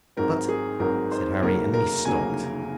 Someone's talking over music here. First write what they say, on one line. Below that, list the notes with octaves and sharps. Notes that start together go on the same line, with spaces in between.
"But--" said Harry, and then he stopped.
G#1 G#2 D#3 F#3 C4 A#4
G#4
G#1 G#2 D#3 F#3 C4 A#4
C5
F1 D#2 C#3 F#3 A#3 A#4
A#4
F1 D#2 C#3 F#3 A#3 G#5